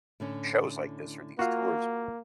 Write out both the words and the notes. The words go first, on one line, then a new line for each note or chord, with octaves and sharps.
shows like this or these tours."
A2 D3 C#4
A#3 F4 F#4 F5